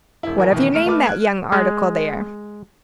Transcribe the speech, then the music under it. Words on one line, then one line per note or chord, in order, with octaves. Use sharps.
"What have you named that young article there?"
E1 E4
E2 A#4
B2 D#3 E3
A3 F6 D7 E7
A3 B4 D6 F6
F#6 G#6
G#3